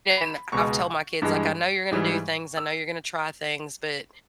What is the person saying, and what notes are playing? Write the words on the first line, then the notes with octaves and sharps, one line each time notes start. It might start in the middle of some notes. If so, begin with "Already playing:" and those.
and I’ve told my kids like, "I know you're gonna do things, I know you're gonna try things, but,
B5
C#2 B2 G#3 C#6
G2 E3 G#3
G#2 E3 G3
E6